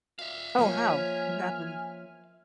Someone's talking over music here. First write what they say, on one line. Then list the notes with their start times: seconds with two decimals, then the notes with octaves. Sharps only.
Oh, how? What happened?
0.19 A#2 E5 F5
0.59 F3 A#3 C#4 C5 C#5 G#5 F6